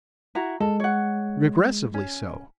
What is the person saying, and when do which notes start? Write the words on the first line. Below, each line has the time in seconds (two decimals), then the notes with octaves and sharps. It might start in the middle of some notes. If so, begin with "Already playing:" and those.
Repressively so.
0.35 E4 F#4 A#5
0.61 G#3 A4
0.80 C#5 F#5
1.94 C#4